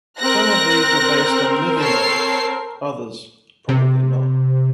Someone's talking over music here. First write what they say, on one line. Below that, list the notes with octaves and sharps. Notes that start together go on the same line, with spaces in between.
Some of these were based on living models, others probably not.
C4 A#4 F#6 A#6
A4 C#5 C7
C3